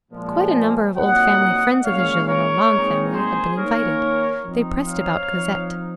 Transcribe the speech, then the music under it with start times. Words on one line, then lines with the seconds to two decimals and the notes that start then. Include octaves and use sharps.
Quite a number of old family friends of the Gillenormand family had been invited; they pressed about Cosette.
0.11 A#2 F3 G#3
0.97 A#2 F#3 C4 D#4 D#5 F#5
1.84 A#2 G#3 C#4 C#5 F5
2.27 A#4 C#5
2.71 A#2 G#3 C4 D#4
3.14 G#4 C5
3.57 D#3 A#3 C#4 A#4 C#5
4.44 F3 C4 D#4
4.88 C#5 F5
5.32 F3 C4 D#4